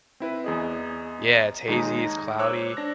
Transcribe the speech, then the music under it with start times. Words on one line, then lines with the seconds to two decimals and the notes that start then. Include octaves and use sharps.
Yeah, it's hazy, it's cloudy.
0.20 C4 E4 B4
0.44 E2 G#4 D#5
1.68 D#2 G#3 D#4 G#4 A5 A#5
2.39 C5 C#5 D6 E6 F#6
2.77 D4 A#6